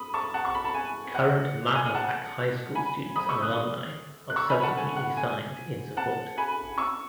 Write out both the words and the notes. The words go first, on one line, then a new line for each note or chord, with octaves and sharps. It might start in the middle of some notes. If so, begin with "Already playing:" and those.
Current Mahopac High School students and alumni of subsequently signed in support.
Already playing: B5 D#6
A5 C#6
F#5 A5
C#6
B5
A5
G#5
F#5
G#5
F#5 A5
G#5 B5
B5 D#6
C#6 E6
D#6 F#6
F#6
C#6 E6
G#5 B5
F#5 A5
G#5
F#5
G#5
F#5 A5
G#5 B5
C#6 E6